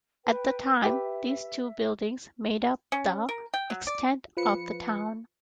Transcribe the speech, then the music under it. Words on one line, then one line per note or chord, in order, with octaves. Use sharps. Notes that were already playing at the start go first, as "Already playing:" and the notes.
At the time, these two buildings made up the extent of the town.
B4 G5
G4 B4 E5
C#4
A#4
G5
F#3
D5
F3 B4 C#7